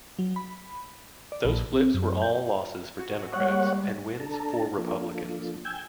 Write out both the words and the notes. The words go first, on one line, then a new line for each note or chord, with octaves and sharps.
Those flips were all losses for Democrats and wins for Republicans.
F#3
B5
D5
A#1
C4
F#2
G6
F#4
G3 G#3 A#3 C#5 F#5
D4 A4 A5 A#5
F3 A#3 D4 F4 A4
G5 G#5 E6 G6 G#6